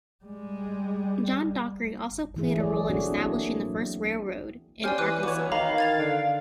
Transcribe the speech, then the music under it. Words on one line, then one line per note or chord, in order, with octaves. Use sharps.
John Dockery also played a role in establishing the first railroad in Arkansas.
G3 G#3
E3 A3 E4 G#4
F#3 G#4 A4 C#5 D5
E3 C4 D4 F#4 G#4
A#3 E4
F#3
C#4 G4 C5 D5 G#5 F6
E3 D6 F#6 D#7
E3 F#4 C#5 D6
D#3 A#4 F5 A#5 B5
G#6 A6 F7
D3